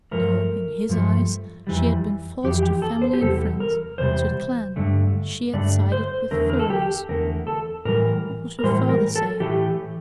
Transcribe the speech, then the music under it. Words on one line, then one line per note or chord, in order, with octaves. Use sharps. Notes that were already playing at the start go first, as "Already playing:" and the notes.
No, in his eyes she had been false to family and friends--to the clan--she had sided with "furriners." What would her father say?
G2 F3 A3 A#4
G2 F3 A3
F2 E3 G3
F2 E3 G4
G4
A4
C5
G4
E2 C3 G3 A4
A#4
E2 C3 G3 C5
G2 D3 A3
G2 D3 A3 D5
C5
E2 D3 A3 A#4
A#4
A4
G4
E2 D3 A3 A#4
A4
A2 E3 G3 A#4
A#4
A2 E3 G3 C5
A#4
A4
A2 E3 A3 G4